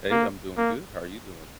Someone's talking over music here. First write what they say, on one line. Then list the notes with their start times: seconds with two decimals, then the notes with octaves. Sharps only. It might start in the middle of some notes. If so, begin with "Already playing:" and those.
Hey, I'm doing good. How are you doing?
0.11 A#3
0.57 A#3